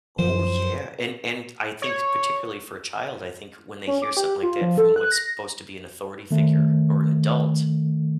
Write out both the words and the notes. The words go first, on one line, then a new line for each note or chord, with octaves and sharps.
Oh, yeah, and and I think particularly for a child, I think when they hear something like that from what's supposed to be an authority figure or an adult,
F#2 F3 C5
C#5
C#4
D6
G4
F4
F3
A4
F#6
A#6
D#3 A3